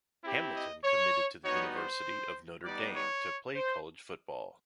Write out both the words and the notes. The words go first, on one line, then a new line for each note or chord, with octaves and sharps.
Hamilton committed to the University of Notre Dame to play college football.
C4 E4 G4
D#5
C#5
G3 B3 D#4 F#4 C#5
C5
G3 B3 D#4 D5
C#5
C5